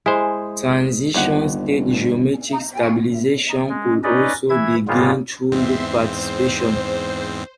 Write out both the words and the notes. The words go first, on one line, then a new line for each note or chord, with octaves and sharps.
Transition-state geometric stabilization could also be gained through loop participation.
G#3 E4 C5
G1 D#2 F#5
G#3
C#4 D#4 B4 D5 D#5
E3 E4 E5 G#6
G#2 C#3 G3 A#3 B3 F4
E2 G#2 C4 E5 C6
C5